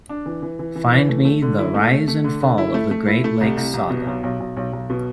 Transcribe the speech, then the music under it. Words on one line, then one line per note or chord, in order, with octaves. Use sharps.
Find me The Rise and Fall of the Great Lakes saga.
D4
E3
E3
E3
E3
E3
A3
A3
D3
E4
A3
A3
A3
D3
D3
E4
A3
A3
E4
A3
C2
C2
C2
B2
B1
B1
B1
B1
B1
B2